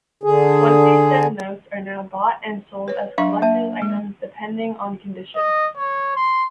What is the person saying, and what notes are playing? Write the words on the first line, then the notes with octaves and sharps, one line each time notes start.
Twenty sen notes are now bought and sold as collectors items depending on condition.
D3 G#4
B4 C#5
F#3 D4 E5 F5 C6 C#6
A#3 E5 A5
G#3
D#5
C#5
C6